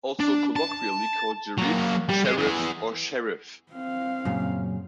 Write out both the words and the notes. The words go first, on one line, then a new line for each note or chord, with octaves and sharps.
Also colloquially called Jerife, Cherif, and Sherif.
D4
A5
F#3 A#3
G3
G#3
E3 G#4
C4 F5
F#2 A#2 C#3